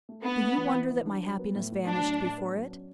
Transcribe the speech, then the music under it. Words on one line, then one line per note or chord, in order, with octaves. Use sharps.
Do you wonder that my happiness vanished before it?
A3
B3 D4
A3
E3
E3
E3
D4
F#3
B3
A2
A2
F#3 D4
A2
A2
B3
F#3
C#4